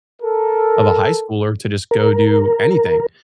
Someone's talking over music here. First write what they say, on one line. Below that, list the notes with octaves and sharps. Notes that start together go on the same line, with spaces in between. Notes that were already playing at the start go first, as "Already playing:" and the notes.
of a high schooler to just go do anything,
A4 A#4
A#4